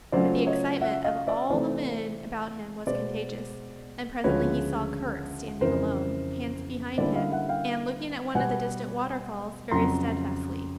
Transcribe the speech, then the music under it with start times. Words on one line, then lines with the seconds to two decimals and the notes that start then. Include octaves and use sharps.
But the excitement of all the men about him was contagious, and presently he saw Kurt standing alone, hands behind him, and looking at one of the distant waterfalls very steadfastly.
0.12 C#3 F#3 A3 C#4 F4 C5 D5
0.47 C#5 D#5
0.81 E5 F#5
1.04 D#5 F5
1.27 D5 E5
1.50 C3 E3 A3 C4 E4 C5 D5
2.87 B2 G#3 B3 C5 D5
4.24 D2 C#3 F3 G#3 B4 C#5
5.61 F2 C#3 E3 A#4 C5
6.97 D3 G3 A#3 C#4 E4 C5 D5
7.15 D#5 F5
7.32 E5 F#5
7.49 F5 G5
8.35 B2 G3 B3 F#5 G#5
9.71 F2 C#3 F#3 A#5 C6